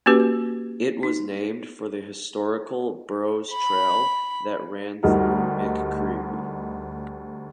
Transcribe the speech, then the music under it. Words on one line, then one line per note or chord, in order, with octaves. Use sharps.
It was named for the historical Burrows Trail that ran through McCreary.
A#3 C#4 F#4 G4 B4
D#4
B5
D2 G3 D#4 A#4